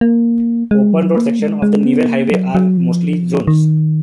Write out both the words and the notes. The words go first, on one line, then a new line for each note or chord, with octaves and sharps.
Open road sections of the Newell Highway are mostly zones.
A#3
G#3
F#3
A#3
G#3
G#3
B3
A#3
F#3
F#3
F3
D#3